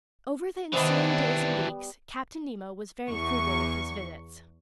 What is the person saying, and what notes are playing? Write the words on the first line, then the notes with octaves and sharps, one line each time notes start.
Over the ensuing days and weeks, Captain Nemo was very frugal with his visits.
C3 D#3 E3 G3 B3 D4
E2 C#6